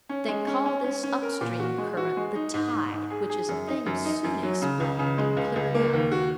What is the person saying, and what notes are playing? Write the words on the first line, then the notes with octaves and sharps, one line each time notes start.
They call this up-stream current the tide, which is a thing soon explained, and clear enough.
C#4
G#3
C#4
C#4
C#4
C#4
A#4
A#2
F#4
G#3
F#4
G#3
D#4
G#2
G#2
G#2
G#4
G#4
F#2
D#4
F#2
D#4
F#2
F#3
C#3
C#2
C#3
G#3
C#2
C#2
A#3
D#2
F#4